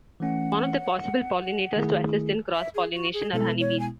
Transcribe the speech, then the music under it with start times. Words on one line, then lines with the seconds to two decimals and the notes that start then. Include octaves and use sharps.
One of the possible pollinators to assist in cross-pollination are honeybees.
0.20 E3 A3 C#4 F#5
1.76 D#3 A3 E4 G#4
2.55 E5
2.74 G#4
2.94 F#4
3.13 G#4
3.33 B2 G#3 B3 E4 A4
3.60 C#5
3.79 G#5